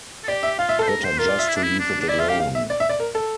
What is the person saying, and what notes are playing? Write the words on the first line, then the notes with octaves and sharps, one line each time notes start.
Better just to leave it alone.
A4
G4 D5
E5
F4 F5
E5
A4 C5
A#4
C5
F4 A#4
D5
E5
E4
D4
E4
D4
D4
E4 D5
F4 E5
G4 F5
F5
E5
D5
E5
D5
A#4
A4